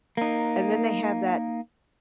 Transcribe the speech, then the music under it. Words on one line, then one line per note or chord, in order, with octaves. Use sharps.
and then they have that
A#3 D#4